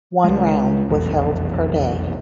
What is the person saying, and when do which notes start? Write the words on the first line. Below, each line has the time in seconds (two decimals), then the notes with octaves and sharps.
One round was held per day.
0.24 C#2 G#3
0.89 F1 B1 E2